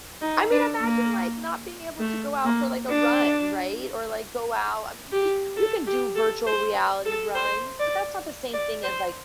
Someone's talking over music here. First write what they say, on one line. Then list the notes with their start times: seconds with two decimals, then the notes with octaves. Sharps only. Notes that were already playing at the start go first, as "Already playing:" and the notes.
I mean, imagine, like, not being able to go out for, like, a run, right? Or, like, go out I mean, you c you can do virtual reality runs, but that's not the same thing as, like
0.22 D#4
0.51 D4
0.81 A#3
2.00 A3
2.45 A#3
2.89 D4
5.12 G4
5.56 A4
5.87 G4
6.16 A4
6.46 C5
7.06 A4
7.35 C5
7.80 D5
8.53 D5
8.83 C5